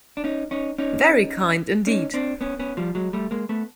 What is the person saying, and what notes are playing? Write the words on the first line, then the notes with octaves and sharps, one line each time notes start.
Very kind indeed.
D4
C#4 D#4
C#4 D#4
C#4 D#4
C#4 D#4
C4 D4
B3 C#4
B3 C#4
F3 G3
F#3 G#3
G3 A3
G#3 A#3
A3 B3